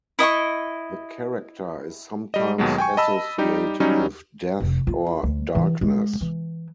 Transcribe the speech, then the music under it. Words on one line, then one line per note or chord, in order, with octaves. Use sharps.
The character is sometimes associated with death or darkness.
E4 D#5 F#5 C#6
G3 D#5
D#2 B2 F#3 G#3
G5 G#5 C#6
D#5 A5 B5 E6
G3 D#4 G4
F#3 G3 C#4 D#4
F1
F4
D2
E3
G#3
E3